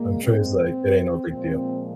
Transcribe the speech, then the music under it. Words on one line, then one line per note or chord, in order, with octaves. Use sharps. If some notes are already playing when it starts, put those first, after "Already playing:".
I'm sure he's like, "It ain't no big deal."
Already playing: A#2 G#3 A#3
C4
A#2 F3 G#3 C4